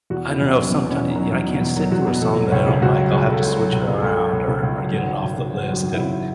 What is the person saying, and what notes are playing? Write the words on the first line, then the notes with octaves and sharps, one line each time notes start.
I don't know, someti y you know, I can't sit through a song that I don't like, I'll have to switch it around or, or get it off the list and
E2 F#4
B2 E4
E2
C#4
F#3
C#4
E2 B3
B2
C#4
E2
F#3 D#4
E2
B2
E2
F#3
E2 F#4
B2
E2 A4
F#3
C#2 C#5
C#3
C#2 F#4
F#3
C#2 G#4
C#3 A4
C#2
C#5
F#3
C#2
C#3
G#4
C#2 A4
F#3
C#2
C#3
C#2
F#3
G#1
F#2
G#1
C#3
G#1 G#4
F#2 F#4
G#1
C#3 E4